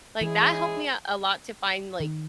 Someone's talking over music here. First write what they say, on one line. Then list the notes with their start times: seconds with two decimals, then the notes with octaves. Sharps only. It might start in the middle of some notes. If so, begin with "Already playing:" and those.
like, that helped me out a lot to find, like,
0.21 E3 G#3 C#4 E4 G#4
2.00 D#3